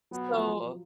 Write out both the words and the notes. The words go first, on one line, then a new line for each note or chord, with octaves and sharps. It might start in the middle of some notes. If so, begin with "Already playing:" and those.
S so
F#3 B3
F3